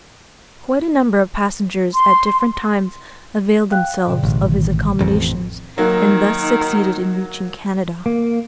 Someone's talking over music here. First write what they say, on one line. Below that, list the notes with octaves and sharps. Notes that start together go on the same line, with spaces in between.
Quite a number of passengers at different times availed themselves of his accommodations and thus succeeded in reaching Canada.
C6
F5 G5 F#6
G#2 B2 D3
A1
D#3
A1 F2
D#3 F#3 A#3 D#4 F#4
A#3